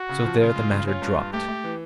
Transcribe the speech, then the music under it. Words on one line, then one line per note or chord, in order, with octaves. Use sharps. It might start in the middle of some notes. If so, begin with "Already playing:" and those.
So there the matter dropped.
Already playing: F#4
C#3
F3
C#3 F4
G#3
C#3
C#4 F4
G2
G2
A3 G4
A3
E3